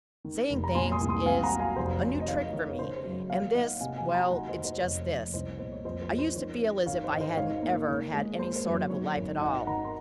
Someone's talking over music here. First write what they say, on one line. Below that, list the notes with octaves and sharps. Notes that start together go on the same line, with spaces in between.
Saying things is a new trick for me, and this--well, it's just this: I used to feel as if I hadn't ever had any sort of a life at all.
D#3
F1
A#5
A#2 G#5 C6
C6 D#6
C2
C6 D#6
C4 F5 G#5
F#5 A#5
F#3
F5 G#5
F1 C5
F1 C#5
D#5
D#3 C#5 F5
D#3 C#5
C#5
C#3 C5
C5
F#2
C#5
A#3 C#5 F5
D#3 D#5 F#5
C3 F5 G#5
F5 G#5
F#3 C6
F#5 A#5
D#2 D#5 F#5
C5 D#5
D#2
C5 D#5
F1 C#5
F1
C2 C5 D#5
C#5
A#2 C5
C#5
F2 C5 D#5
C5
F3
C5
D#3 C#5
C#4
G#1 C#5 F5
C5 D#5
G#1
C5 D#5
G#2 C#5 F5
A#3
D#3 C#5
G#3
A#3 C5
C5
F#2
C#5
D#3 C#5
G#1
D#4 D#5 F#5
D#3 F#5 A#5
C6